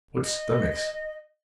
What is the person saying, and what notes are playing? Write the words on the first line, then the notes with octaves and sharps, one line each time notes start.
"What stomachs!"
D#5